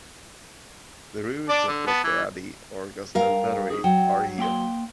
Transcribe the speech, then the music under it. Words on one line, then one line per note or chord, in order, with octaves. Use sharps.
The ruins of Godstow Abbey, or Godstow Nunnery, are here.
D4 D5
D3
B3 A5
E3
G2 A#4 F5
D#4 G#4
F#3 G5
A#3 G5 C6